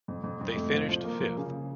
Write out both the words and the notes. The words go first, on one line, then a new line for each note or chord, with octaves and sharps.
They finished fifth.
F2
F2
F2
A3
F3
F3
A#3
F3
C#3